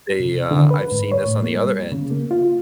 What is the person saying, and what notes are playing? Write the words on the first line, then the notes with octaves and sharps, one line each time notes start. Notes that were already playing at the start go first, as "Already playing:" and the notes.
they, uh, I've seen this on the other end,
C3
D3
B4
G#2
C#5
A2
A#3
G3
C#3
A#3
F4